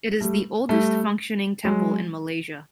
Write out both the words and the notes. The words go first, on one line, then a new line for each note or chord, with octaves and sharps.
It is the oldest functioning temple in Malaysia.
G3 A3
G3 A3
F#3 G#3